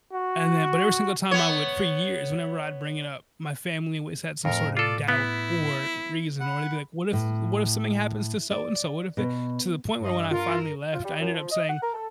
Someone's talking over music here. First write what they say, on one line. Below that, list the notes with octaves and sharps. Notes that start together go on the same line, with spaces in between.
and then but every single time I would for years, whenever I'd bring it up, my family always had some sort of doubt or reason, or they'd be like, "What if what if something happens to so and so? What if they" to the point where when I finally left, I ended up saying,
F#4
B3 C#5
F2 A2 A#4
F4 A4 D5
B3 E4
F#5 B5
A2
D5
B2
G2 D#5
F4 A#4
F4
G3
F#2
F3
D#5
F#5
A#4
A4